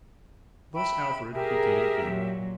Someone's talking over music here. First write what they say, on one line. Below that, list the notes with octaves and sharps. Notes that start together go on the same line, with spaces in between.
Thus Alfred became king.
E5 G5 B5
G4 G#4 A#4 E5
A#2 F#3